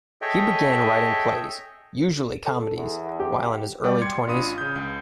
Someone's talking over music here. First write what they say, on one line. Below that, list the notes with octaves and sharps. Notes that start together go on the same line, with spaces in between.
He began writing plays, usually comedies, while in his early twenties.
G#4 A4 C#5 D#5 E5 G5
A4
E2
G4
G3 D5 G5 D6
C6 G#6 C#7
A1 D4 F4 B5 D#6 D#7
C#3 G6
C#2 G6